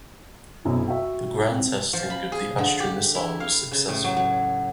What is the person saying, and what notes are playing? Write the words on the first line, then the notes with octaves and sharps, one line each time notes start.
The ground testing of the Astra missile was successful.
B1 F#2 C4 E4
F#4 E5 G5
C4
F3
B5
G#4
D3
G4
E4
F5
C#3
A2
F#3
F#3